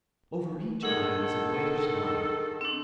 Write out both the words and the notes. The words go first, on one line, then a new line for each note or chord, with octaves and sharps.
Over each eye was a whitish line.
D#3 D4 G#4 A4 F#5
C4 D4